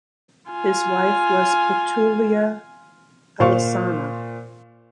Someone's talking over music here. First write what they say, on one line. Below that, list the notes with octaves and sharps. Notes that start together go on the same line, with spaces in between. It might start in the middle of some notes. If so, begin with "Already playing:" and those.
His wife was Pitolua Alesana.
F4 G#5
A#2 C5 F5 C#6